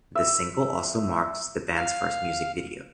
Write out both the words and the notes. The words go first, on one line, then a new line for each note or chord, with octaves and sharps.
This single also marks the band's first music video.
E5
F5